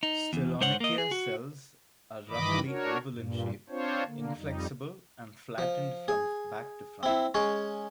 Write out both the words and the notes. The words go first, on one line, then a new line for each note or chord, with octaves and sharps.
"Stylonychia" cells are roughly oval in shape, inflexible and flattened from back to front.
D#4
E2
G#2 C5 C#5 F#5
A#3 D#5
G#4
F#4
G2 D#3 E3 D#5 B5 D6
D4 F#4 A#4 C#5
G2 A#2
C4 D4 F4 C5 C#5
D3 A#3
F2 G3 D#4
F3
G#4
C4 E4
G#3 C#4 C#5